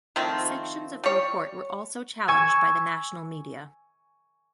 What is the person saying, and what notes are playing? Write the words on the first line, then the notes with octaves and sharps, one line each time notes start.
Sections of the report were also challenged by the national media.
D#3 F3 A3 C4
G3 C#5
G#5 C#6 E6 G#6